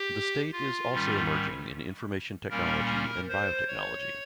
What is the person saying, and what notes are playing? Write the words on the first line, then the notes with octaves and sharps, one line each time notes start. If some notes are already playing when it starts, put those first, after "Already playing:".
The state is also emerging in information technology and biotechnology.
Already playing: G4
F4
G#2 D#3 G3 C#4
A#2 G3 A#3 C#4 A#4
C5
C#5